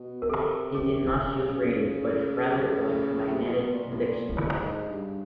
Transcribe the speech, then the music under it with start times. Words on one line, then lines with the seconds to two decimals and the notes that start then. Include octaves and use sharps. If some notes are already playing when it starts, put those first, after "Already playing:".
It did not use radio, but rather electromagnetic induction.
Already playing: B2
0.22 A#4
0.30 C3 A4
0.74 C3 G#4
1.19 C#3
2.52 G#4
3.30 C3
3.41 B2
3.70 A#2
3.91 A2
4.00 A#2
4.29 A2
4.59 G#2
4.89 G2